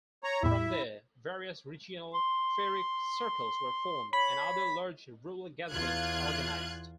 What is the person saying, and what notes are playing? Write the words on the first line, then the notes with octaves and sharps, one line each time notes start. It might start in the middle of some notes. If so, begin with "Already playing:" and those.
From there, various regional Faerie Circles were formed, and other large rural gatherings organized.
C#5 A#5
E2 A2 E4 E5
C6
C#5 B5
E2 F4 F#6 G#6